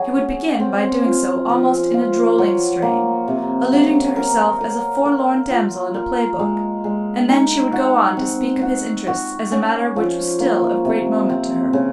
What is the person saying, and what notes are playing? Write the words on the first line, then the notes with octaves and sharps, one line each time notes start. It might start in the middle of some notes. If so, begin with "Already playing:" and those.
She would begin by doing so almost in a drolling strain, alluding to herself as a forlorn damsel in a play-book; and then she would go on to speak of his interests as a matter which was still of great moment to her.
Already playing: F#3 G#4
C#4
C4
F4
F3
F4
F#3
A#3
C3
F#3
A#4
A#4
A#4
F4
A#4
G#3
G#3
D#4
F#4
C4
F#4
F#4
C#4
F3
A#3
C3
C4
C#3